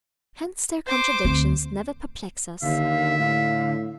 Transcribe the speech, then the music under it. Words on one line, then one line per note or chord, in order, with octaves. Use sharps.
Hence their contradictions never perplex us.
C5 D6
D2 C4
D#2 D3 E5 F5
A2 F5